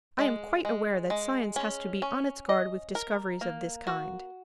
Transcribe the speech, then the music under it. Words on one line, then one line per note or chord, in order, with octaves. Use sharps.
I am quite aware that science has to be on its guard with discoveries of this kind.
G#3
G#3
G#3
C#4
C#4
D#5
A#4
A#3
F#4